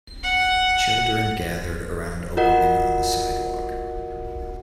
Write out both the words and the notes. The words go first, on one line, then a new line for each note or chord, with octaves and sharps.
Children gathered around a woman on the sidewalk.
F#5
F4 F#4 A#4 D#5 F#5